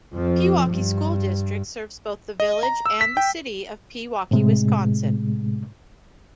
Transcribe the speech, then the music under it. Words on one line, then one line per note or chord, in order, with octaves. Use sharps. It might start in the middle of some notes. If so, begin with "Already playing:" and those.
Pewaukee School District serves both the village and the city of Pewaukee, Wisconsin.
F2 F3
G2
D#5
A#5
E6
B6
G5
A2 C3 G#3